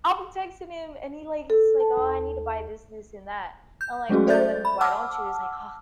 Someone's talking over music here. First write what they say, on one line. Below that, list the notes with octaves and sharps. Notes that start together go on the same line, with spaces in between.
I'll be texting him, and he like he's like, "Oh, I need to buy this, this, and that." I'm like, "Well, then, why don't you?" He's like, "Huh,
A4
A5
D#2
G6
F#3 G#3 A3 C#4 F#4 G#4
A4 C5 D5 E5 G6 A6
B5
F#5 A5 D6 E6 F6